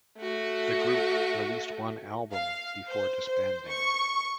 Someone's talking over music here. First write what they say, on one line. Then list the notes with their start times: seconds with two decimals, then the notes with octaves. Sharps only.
The group released one album before disbanding.
0.18 A3 F#4
2.32 F5
2.89 C5
3.25 C5
3.69 C#6